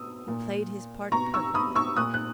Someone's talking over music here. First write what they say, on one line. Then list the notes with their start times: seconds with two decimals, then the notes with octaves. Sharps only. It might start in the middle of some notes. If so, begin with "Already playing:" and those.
He played his part perfectly.
Already playing: B2 D#6 E6
0.28 A#2
1.12 B2 A#5 C#6
1.34 C#6 E6
1.54 B5 D#6
1.75 C#6 E6
1.96 A#2 D#6 F#6
2.14 F#6